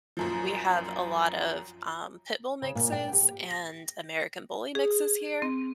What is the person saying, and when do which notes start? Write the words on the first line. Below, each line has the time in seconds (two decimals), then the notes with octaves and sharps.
We have a lot of, um, pit bull mixes and American bully mixes here,
0.17 A#1 F#2 F3
2.62 C#3
2.75 A#2
2.92 G5
3.13 G4
3.51 A#6
4.75 G#4
5.42 C4